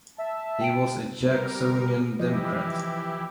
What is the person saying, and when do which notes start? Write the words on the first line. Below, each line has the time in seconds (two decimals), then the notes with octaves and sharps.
He was a Jacksonian Democrat.
0.18 E5 A5
0.61 G5 D7
1.21 C3 G3 B3 A#4
2.19 E3 F3 E4 G4 D#5